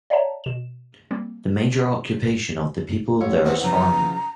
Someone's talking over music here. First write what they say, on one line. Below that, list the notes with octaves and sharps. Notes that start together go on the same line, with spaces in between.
The major occupation of the people there is Farming.
C#5 D5 E5 F#5 A5 A#5
B2 E7
G3 A#3 C4
A1 C#5
E2 B3 C4 F#5
C#3 F3 A#5